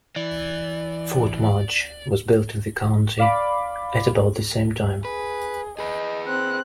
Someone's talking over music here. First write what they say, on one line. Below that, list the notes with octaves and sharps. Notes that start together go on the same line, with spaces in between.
Fort Mudge was built in the county at about the same time.
E3 D5
D5 F5 B5 D6
G#4 B4
G#4 B4 D#5
C4 F#6